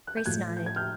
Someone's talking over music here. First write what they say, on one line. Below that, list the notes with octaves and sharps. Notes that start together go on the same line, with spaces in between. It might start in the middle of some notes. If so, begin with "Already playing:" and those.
Grace nodded.
F#6
G6
A2 F3 F#6 G#6
G6
G#6
F6 G6